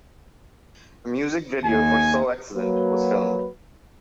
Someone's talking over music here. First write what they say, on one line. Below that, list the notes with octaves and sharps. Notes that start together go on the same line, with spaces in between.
A music video for "So Excellent" was filmed.
D#2 G#5
F#3 A#3 F#4 B4